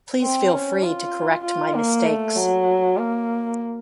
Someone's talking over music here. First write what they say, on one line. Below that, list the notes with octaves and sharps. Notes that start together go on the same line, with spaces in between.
Please feel free to correct my mistakes.
C4
C#4
F4
F4
A#3
A3
F#3
A#3